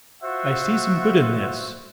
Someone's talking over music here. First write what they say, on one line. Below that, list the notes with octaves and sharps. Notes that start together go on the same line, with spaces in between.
I see some good in this.
F4 F#4 C5 E5 F#5